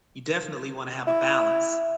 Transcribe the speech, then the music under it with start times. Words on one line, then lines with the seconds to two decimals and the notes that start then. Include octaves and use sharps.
you definitely wanna have a balance.
1.07 E4